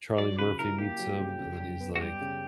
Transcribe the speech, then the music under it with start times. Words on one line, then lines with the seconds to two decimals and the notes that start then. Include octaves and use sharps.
Charlie Murphy meets him and then he's like,
0.18 F#3 D5
0.39 C#3 B4
0.59 E4 A#4
0.78 A#3 G4
0.99 F#3
1.20 C#3
1.39 C#3
1.60 F#2
1.80 B3
1.96 F#4
2.00 G3 G4
2.21 C#3